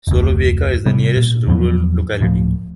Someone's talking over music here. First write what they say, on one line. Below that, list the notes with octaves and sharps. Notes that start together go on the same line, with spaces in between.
Solovyevka is the nearest rural locality.
F1 D2
C3 G3 B3
A#2
E2 F3 F#3 B3
D1 A2 F3